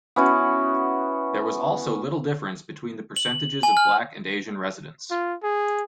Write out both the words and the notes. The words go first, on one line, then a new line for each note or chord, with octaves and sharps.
There was also little difference between the percentages of black and Asian residents.
B3 C#4 E4 F#4
F#7
G#5
F6
F4
G#4